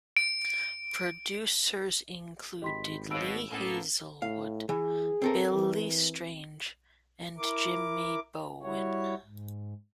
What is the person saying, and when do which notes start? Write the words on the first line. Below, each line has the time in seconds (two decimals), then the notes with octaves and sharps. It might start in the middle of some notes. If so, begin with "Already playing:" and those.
Producers included Lee Hazlewood, Billy Strange and Jimmy Bowen.
0.17 D7
2.62 G#1 G4 D#5 B5 C6 B6
3.11 B2 C#5 F5 B5 E6 D7
3.51 A2 A#3 B3 C#4 A4
4.22 A2 F5
4.69 E3 G#4
5.22 C4 A4 A#4
5.53 E3
7.38 E4 A#4 D6
8.63 G3 E4 F#4 C#5
9.25 G#2